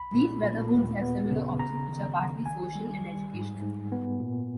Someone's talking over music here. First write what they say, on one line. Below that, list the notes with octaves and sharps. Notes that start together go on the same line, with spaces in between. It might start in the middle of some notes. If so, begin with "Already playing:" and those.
These brotherhoods have similar objects which are partly social and educational.
Already playing: B1 B5
A#2
A#2
D#2
B3
C#3
G#1 A#5
D#3
D#3
A#1 G#5
G3
G3
G#2
G#2
B3
A#2